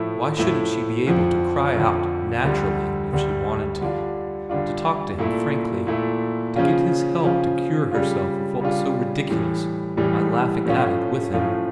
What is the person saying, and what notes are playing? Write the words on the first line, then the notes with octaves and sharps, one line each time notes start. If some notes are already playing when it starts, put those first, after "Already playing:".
Why shouldn't she be able to cry out naturally if she wanted to, to talk to him frankly, to get his help to cure herself of what was so ridiculous by laughing at it with him?
Already playing: A2 F3 A3 E4
A2 F3 A3 E4
F2 D3 F3
F2 D3 F3
D2 D3 G3
D2 D3 G3
D3 G3 D4 F4
D3 G3 D4 F4
A#2 A3 E4
A#2 A3 E4
C#3 F3 C#4 F4
C#3 F3 C#4 F4
C#3 G3 D4 F4
C#3 G3 D4 F4
A2 E3 G3
A2 E3 G3
A2 F3 A3 C#4 F4
A2 F3 A3 C#4 F4